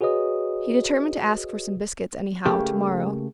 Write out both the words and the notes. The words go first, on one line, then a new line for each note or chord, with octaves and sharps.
He determined to ask for some biscuits, anyhow, to-morrow. . . .
F#4 G#4 B4 C#5 D#5 D#6
C#3 A3 A#3 G4 A4